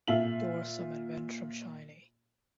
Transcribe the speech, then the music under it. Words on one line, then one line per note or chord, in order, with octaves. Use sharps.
Dorsum and ventrum shiny.
A#2 F4 E5 F5 F#7